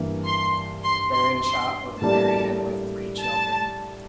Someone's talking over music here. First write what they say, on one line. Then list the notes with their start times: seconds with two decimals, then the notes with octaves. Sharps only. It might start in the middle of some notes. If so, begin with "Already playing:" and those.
Berenschot was married and with three children.
Already playing: G2 E3 A#3
0.24 C6
0.83 C6
1.13 C6
1.43 C6
2.01 A2 G3 A#3 D4 A5
3.19 A5